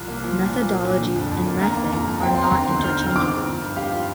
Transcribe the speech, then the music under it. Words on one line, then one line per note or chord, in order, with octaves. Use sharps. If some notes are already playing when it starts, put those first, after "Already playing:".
"Methodology" and "method" are not interchangeable.
Already playing: C2 F3
A#3
F3
A#2
A#2
A#3
A#2
D3
F2
F2
A#3
A#3 A#5
A#3
F2 A#5
F2
C4 G5
C4 C6
A#5
D3
C6
D3
G6
C4 F6
C4
F6
D3 D6
D3
F3
G2
G4 F5
F3